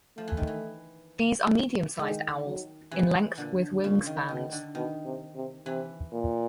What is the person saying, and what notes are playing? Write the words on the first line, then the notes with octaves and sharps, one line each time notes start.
These are medium-sized owls, in length with wingspans.
F3 A3
E3
D#3
E3
D#3 G#3
F#3
C3 E3
A#2 D3
A#2 C#3
D#3
B2 D#3
D3
B2 D#3
C3
C3
C3 E3
A#2